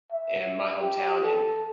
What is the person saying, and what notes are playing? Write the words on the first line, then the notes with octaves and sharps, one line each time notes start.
in my hometown, and
E5
G4
A4